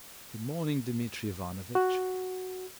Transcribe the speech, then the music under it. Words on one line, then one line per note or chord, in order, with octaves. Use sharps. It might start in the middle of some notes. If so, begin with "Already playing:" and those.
"Good-morning, Dmitri Ivanovitch."
F#4